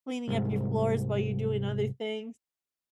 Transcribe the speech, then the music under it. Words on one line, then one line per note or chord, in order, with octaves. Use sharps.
cleaning up your floors while you're doing other things.
C2 G#2